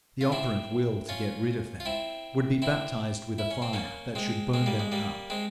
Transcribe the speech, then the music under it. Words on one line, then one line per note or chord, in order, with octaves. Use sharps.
The operant will to get rid of them would be baptized with a fire that should burn them up.
F4
C4 E4
C#4 F4
F4
C4 E4
C4 E4
E4
C#4
C4
A#3 C#4
G#3 C4
G#3 C4
G3 A#3
G#3
G3 A#3
G#3 C4